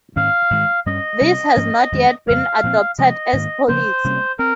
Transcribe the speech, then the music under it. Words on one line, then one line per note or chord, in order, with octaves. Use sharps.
This has not yet been adopted as policy.
G#2 D#3 A#3 C#4 F5
G#2 D#3 G#3
G2 G3 C#4 D#5
C3 G3 C#4
G#2 F3 A#3 C#4
F2 D#3 G#3 C4
F2 C#3 G3 A#3 F5
A#2 F3 C4
C3 F3 G#3 D#5
G#2 D#3 A#3
C#3 F3 A#3 C#4 C5
C3 G3 A#3 C#4
C4 A#4